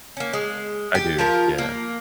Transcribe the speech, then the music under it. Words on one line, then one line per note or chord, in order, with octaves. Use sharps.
I do, yeah.
A#3 C#4
G#3
G4
F3 F4 A#4
A#3